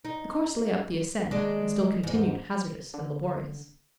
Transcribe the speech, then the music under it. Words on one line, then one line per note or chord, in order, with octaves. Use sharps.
The course lay up the ascent, and still continued hazardous and laborious.
D#4
D#2 G#3 D4
E2 G#2
D3